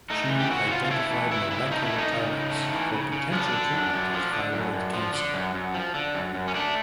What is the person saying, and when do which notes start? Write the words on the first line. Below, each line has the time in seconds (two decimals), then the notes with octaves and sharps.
She identified molecular targets for potential treatment of thyroid cancer.
0.10 A3 D#4
0.30 E3
0.40 G4
0.50 C#3 F#4
0.67 E4
0.71 C#3 F4
0.85 F4
0.90 A3 E4
1.10 E3
1.31 C#3 E4
1.51 C#3 E4
1.71 A3 D#4
1.85 E4
1.92 E3
1.98 D#4
2.11 C#3
2.32 C#3
2.51 A3
2.73 E3
2.93 C#3
3.12 C#3
3.33 F3 D4
3.52 D3
3.72 F#2
3.93 F#2
4.13 F3
4.33 D3
4.53 F#2
4.73 F#2
4.93 F3
5.13 D3
5.34 F#2
5.54 F#2
5.74 F3
5.95 D3
6.15 F#2
6.34 F#2
6.48 C#4
6.55 A3 D4